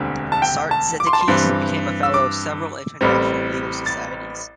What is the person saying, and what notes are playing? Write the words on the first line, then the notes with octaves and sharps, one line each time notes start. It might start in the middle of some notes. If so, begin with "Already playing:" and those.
Sartzetakis became a fellow of several international legal societies.
Already playing: E1 D2 D3 G3 C4
A5
G5
A5
D6
C6
A5
C6
G2 E3 C4
E6
D6
A1 A2 G3 C4
A6